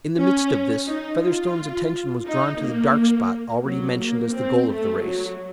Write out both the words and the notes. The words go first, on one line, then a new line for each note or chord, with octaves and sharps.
In the midst of this, Featherstone's attention was drawn to the dark spot already mentioned as the goal of the race.
C#4
D#4
F4
D#4
A#3
F#3
A#3
C4
A3
F#3